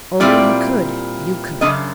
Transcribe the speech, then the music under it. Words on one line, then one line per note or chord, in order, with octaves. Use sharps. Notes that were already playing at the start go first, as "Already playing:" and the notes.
"Oh, you could--you could."
A#2 G3 C4 E4 D5
F#2 C#3 F3 A#3 D4 D#5